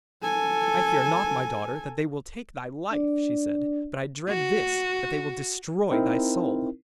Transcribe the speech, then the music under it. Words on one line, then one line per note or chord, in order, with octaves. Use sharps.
'I fear not, my daughter, that they will take thy life,' she said, 'but I dread this--that they will destroy thy soul!'
A4 G#5
D4 D5
F#4
C4 D#4 E4 A#4